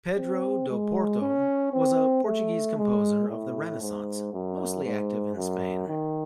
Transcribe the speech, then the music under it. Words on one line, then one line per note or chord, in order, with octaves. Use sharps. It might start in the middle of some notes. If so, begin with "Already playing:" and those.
"Pedro do Porto", was a Portuguese composer of the Renaissance, mostly active in Spain.
C4
G#3
C#4
C4
A3
G#3
A2
G#2
F#2
G#2
F#2
D#3